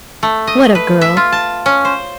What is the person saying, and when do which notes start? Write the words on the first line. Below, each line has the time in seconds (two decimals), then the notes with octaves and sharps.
What a girl!
0.23 A3
0.47 D#5
0.75 B4
1.01 E5
1.17 F4
1.32 A5
1.66 C#4
1.85 C5